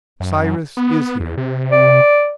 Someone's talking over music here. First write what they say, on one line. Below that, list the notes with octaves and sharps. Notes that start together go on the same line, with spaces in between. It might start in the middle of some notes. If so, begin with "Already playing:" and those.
"Cyrus is here!"
F#2
B3
E2
C3
D5